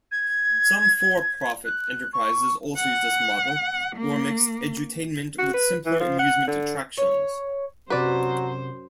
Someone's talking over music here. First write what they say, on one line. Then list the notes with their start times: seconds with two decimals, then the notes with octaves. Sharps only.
Some for-profit enterprises also use this model, or mix edutainment with simpler amusement attractions.
0.12 G#6
1.65 F#6
2.13 C#6
2.77 F#5
3.96 A#3
5.38 F#4
5.54 B4
5.86 E3
6.00 F3
6.19 F#5
6.48 D3
6.97 C#5
7.90 F#2 C3 F#3 F#4 B4 C5 D5